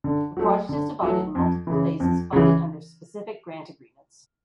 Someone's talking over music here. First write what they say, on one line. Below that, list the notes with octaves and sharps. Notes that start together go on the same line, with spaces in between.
The project is divided in multiple phases funded under Specific Grant Agreements.
D3
F#3 A3
D3
F#3 A3
F2
C#3 E3
F2
C#3 E3